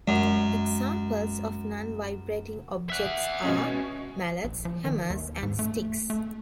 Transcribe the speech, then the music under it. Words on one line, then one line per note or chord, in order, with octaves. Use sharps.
Examples of non-vibrating objects are mallets, hammers, and sticks.
F#2 G#3
E5 F#5
B2 G#3 C#4
A#1
F3
D#3
D#2
G#2
A3
A3